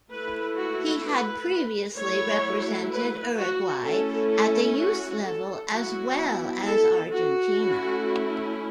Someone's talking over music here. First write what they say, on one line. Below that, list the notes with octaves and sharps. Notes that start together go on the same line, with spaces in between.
He had previously represented Uruguay at the youth level as well as Argentina.
A3 E4 B4
F#4
B4
F#3 A3 E4 C#5
B4
F#4
A3 C#4 E4 A4
A4
F#4
A4
F#3 B3 E4 F#4
A4
F#4
A3 C#4 E4